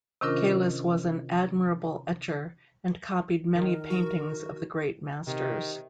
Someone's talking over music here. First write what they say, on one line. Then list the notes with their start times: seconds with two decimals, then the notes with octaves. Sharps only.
Caylus was an admirable etcher, and copied many paintings of the great masters.
0.21 C3 D#3 C#4 D4 F4 A#4
3.55 D#3 A#4
3.90 F#4
5.27 C3 D#3